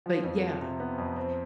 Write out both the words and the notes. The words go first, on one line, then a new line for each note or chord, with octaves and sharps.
but yeah,
F3
F2
F3
C3
B3
F2
C4